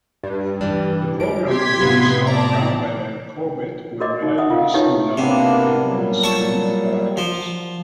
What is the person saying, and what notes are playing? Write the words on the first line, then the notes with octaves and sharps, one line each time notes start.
The programme reveals how Brambell and Corbett were highly dissimilar to their on-screen characters.
G2
E3 G3 D4
G3 D7
G4 C6 G#6 B6
A2 C3 B3 F4
D5 A5 A#5
F#4 A#4 D5 D#5 D6
D#4
E5 F#5 D#6
F4 A#4 F5
D#4 E4 G4 B4 C#5 E5
C3 A#3 B3 D4
A#2 F#3 G3
A4 C#6
F3